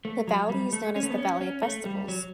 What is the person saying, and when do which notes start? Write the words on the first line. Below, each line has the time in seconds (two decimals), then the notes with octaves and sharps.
The Valley is known as "The Valley of Festivals".
0.05 A3
0.28 F#3
0.49 G3
0.73 A3
0.96 C#4
1.03 A3
1.10 B3
1.18 C#4
1.41 C#4
1.63 A3
1.86 G3
2.08 F#3